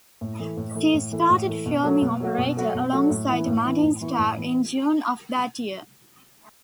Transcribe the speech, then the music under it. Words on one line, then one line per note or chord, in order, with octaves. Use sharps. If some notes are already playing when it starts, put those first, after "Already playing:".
She started filming "Operator" alongside Martin Starr in June of that year.
A2
E3 A3
A2
E3 A3
A2
E3 A3
A2
E3 A3
B2
F#3 A3 F#4
B2
F#3 A3 F#4
B2
F#3 A3 F#4
B2
F#3 A3 F#4
A2
E3 B3 E4
A2
E3 B3 E4
A2
E3 B3 E4
A2
E3 B3 E4